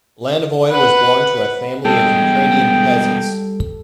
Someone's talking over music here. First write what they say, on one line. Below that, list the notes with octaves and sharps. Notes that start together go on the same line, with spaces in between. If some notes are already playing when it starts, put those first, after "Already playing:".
Lanovoy was born to a family of Ukrainian peasants.
B4 F#5
B2 G3 G#3 A4 G5